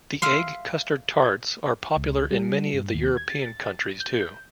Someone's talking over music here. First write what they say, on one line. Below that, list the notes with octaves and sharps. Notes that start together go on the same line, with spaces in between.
The egg custard tarts are popular in many of the European countries too.
E5 F5 C6
C#2
G3
G2
D#2
G#6
A6
G6